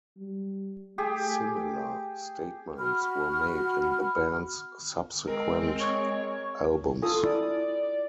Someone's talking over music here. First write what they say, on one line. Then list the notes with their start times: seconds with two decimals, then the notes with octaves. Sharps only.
Similar statements were made in the band's subsequent albums.
0.17 G3
0.98 A3 G4 G#4
2.78 F#4 B5 F6
5.28 G#3 C4 A#4
5.80 C#5
7.02 F4 A4 G#5 D#6
7.23 E4 D5